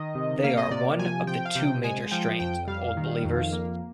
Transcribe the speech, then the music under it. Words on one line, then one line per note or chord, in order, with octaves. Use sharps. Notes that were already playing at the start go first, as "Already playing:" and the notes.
They are one of the two major strains of Old Believers.
Already playing: D#3 D#5
C3
A#3 F5
D#5
C3 D5
F3 G#5
F3 G5
F5
C3 G5
G#3 G#5
F3 G5
F2 G5
G3 F5
D#3
F2
A#3